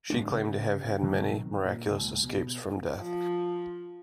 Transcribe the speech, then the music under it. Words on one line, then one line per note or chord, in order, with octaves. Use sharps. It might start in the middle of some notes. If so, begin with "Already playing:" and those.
She claimed to have had many miraculous escapes from death.
G#2 G#3 D4
C#3
B2 D#3 F#3 C4
A#2
C#2 A#2
B2
F3